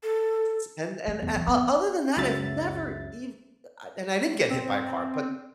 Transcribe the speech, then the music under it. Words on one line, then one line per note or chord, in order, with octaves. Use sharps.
S and and a o other than that, I've never ev uh I and I didn't get hit by a car, but,
A4
A3
E2
E3
B3
C#2 F#2 C#3 F#3 E5 A6
C4